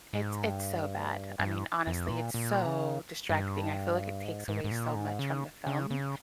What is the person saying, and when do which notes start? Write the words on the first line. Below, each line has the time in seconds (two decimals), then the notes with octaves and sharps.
It's it's so bad. I mean, honestly, it's so distracting. I feel like it takes away so much from the film.
0.13 G#2
0.45 G2
1.39 G2
1.87 F2
2.10 A#2
2.34 A#2
2.66 C#3
3.29 G2
4.24 G#2
4.48 G#2
4.64 G#2
4.71 A#2
4.95 G#2
5.19 C#3
5.67 C#3
5.90 C#3